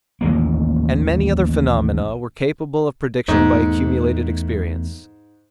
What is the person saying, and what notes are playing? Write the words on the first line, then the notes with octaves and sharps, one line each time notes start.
And many other phenomena were capable of prediction by accumulated experience.
A1 D#2 G#3 A#3
E2 G#2 A3 B3